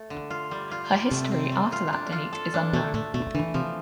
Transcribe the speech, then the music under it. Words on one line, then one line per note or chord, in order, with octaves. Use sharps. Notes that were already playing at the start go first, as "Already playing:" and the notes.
Her history after that date is unknown.
Already playing: A3
D3
F4
G3
F4
G3
C3 A3
C4
A3
F4
D4
F4
A4
D4
B2 A3
A2 A3
B2 A3
D3 E3
C3 F3